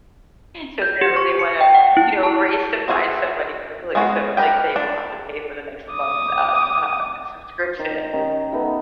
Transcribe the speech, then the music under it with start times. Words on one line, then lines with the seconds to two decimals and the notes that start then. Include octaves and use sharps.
so, it's kinda like they wanna, you know, race to find somebody quickly, so, like, they won't have to pay for the next month of, um, subscription,
0.82 G6
1.01 G4
1.16 C#6
1.39 C#7
1.61 G5
1.74 F#5
1.97 E4
2.23 A5
2.88 C4 E4 F#4 G#4
3.95 G#3 B3 C#4 F#4 G#4
4.37 G4 A#4 B4 G5
4.76 D4
5.92 D6 D#6
7.79 D#3
8.13 D#3 C#4 D#4 G4
8.52 B3 D#4 A4 E5